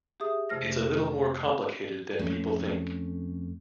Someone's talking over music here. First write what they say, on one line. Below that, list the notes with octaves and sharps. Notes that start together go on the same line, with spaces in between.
It's a little more complicated than people think.
G4 G#4 E5 D#6
F2 C3 A3 F6 A#6
F2 A3 B3 C#4